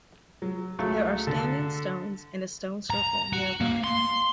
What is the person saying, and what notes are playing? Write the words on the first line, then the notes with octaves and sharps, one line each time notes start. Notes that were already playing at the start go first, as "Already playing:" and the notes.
There are standing stones and a stone circle nearby.
F#3
C#2 F#3 A3
D3 A4
A#5
F#4
A#3
C6